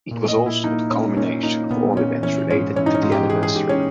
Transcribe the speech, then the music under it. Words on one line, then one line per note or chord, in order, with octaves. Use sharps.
It was also the culmination of all events related to the anniversary.
A#2
D#5
A#2
E4
A#3 D#4
A#2 C#4
A#2 C#4
A#3 D#4
A#2 B3
A#2 C#4
E3 C#4
G#2 C#4
E3 C#4
D#4
C#4
G#2
G4
E3 G#4
G#4
G#2 G4
C#4